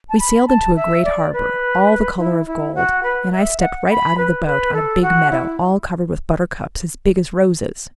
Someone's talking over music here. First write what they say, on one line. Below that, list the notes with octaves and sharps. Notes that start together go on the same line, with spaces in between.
We sailed into a great harbor, all the color of gold, and I stepped right out of the boat on a big meadow all covered with buttercups as big as roses.
A5
B5
A5
E5
D5
B4
E4
E4
F#4
B4
E5
F#5
B5
B4
B4
A4
F#4
E4